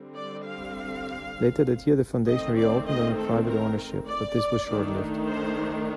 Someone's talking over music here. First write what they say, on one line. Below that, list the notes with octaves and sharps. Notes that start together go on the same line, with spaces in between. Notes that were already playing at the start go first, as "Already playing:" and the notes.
Later that year, the foundation reopened under private ownership, but this was short-lived.
Already playing: D3 G3 C4
D5
F5
D#3 A3 C4 D#5
D5
D#5
A4
A#4
D5
D#3 A3 D4
C5